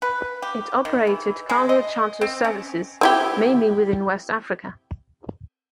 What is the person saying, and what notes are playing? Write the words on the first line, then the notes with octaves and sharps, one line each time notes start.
It operated cargo charter services mainly within West Africa.
B4
G4
D#3
E3
G#3
D#5
C4
C#4
C4 E4 G4